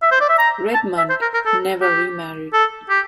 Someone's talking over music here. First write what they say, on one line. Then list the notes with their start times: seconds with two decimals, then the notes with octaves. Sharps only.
Redmond never remarried.
0.02 E5
0.11 C5
0.20 D5
0.29 E5
0.38 A#5
0.74 A5
0.98 E5
1.10 C5
1.22 A#4
1.34 A#4
1.46 A4
1.82 G4
2.53 A4
2.89 G4